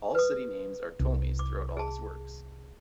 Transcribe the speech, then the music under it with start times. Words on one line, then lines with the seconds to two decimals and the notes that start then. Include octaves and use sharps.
All city names are Ptolemy's, throughout all his works.
0.15 B4 D#6
1.00 C2
1.39 D6
1.77 G#4 A5